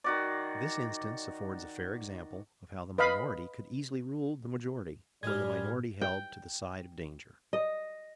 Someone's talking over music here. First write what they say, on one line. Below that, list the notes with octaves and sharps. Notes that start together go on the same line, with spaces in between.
This instance affords a fair example how the minority could easily rule the majority when the minority held to the side of danger.
D#3 F#4 D5
B4 D#5 F5 B5
F#2 A2 G3 G#3 D5 F6 G#6
G5
D#5